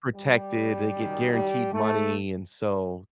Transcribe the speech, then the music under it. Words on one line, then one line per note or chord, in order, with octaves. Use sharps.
protected, they get guaranteed money and so,
G3
F#2 D#3
G3
A3